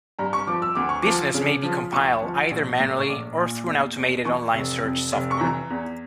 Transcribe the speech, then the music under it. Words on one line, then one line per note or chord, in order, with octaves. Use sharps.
Business may be compiled either manually or through an automated online search software.
G2 A#5
C#6
F3 D6
E6
D2 D6
C#6
F3 D6
C#3
F3
D2 C#6
F3
A#1
A2
C#6
A#1 D6
A#2
E2
E2
E3 C#6
F1
F2
F1
C#6
E3 A#5
E2